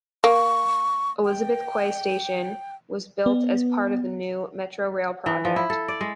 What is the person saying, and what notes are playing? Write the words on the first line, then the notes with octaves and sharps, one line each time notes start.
Elizabeth Quay station was built as part of the New MetroRail project.
A#3 C#6
G5
B3
E3
F3
E4
A4
D5
G#3